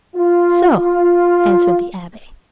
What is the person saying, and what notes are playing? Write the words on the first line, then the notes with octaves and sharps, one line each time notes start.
"So," answered the abbe.
F4
F4